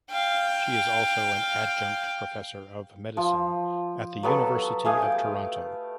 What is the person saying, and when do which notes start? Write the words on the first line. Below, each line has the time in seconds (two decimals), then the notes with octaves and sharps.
She is also an Adjunct Professor of Medicine at the University of Toronto.
0.11 F5 G5
3.17 F3
4.23 F#3 B3 A4
4.85 A3 G#4 F5 D#6
5.02 G5